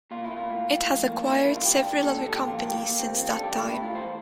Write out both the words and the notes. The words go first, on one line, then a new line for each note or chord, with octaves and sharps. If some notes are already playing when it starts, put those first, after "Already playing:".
It has acquired several other companies since that time.
A#2 F4
E4
A#2
F4
A2
A2
F2
A#3
D4
D2 E4
D4
D2 E4
F4
E2 G4
D4
A#2 A4
A#2 A4
G4
F2
F4
A#3 G4
D2
C4
E2 F4
A4
D4
G4
A2 E4
E4
A2
F4
E2 C5